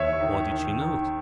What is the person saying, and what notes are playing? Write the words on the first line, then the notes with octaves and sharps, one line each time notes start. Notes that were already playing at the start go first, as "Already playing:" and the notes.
Why did she know it?
Already playing: D#2 C#5 E5
D#3
D#3
D#3